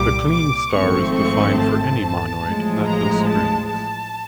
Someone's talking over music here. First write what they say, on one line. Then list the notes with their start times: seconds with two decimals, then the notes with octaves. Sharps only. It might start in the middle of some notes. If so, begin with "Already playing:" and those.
The Kleene star is defined for any monoid, not just strings.
Already playing: C2 A#2 G3 D6
0.31 D6
0.73 G#1 G#2 F3 A3 C4 C#6
1.16 C#6
1.58 A5
2.42 A1 A2 F3 G#3
2.85 A#5
3.27 A5
3.69 A5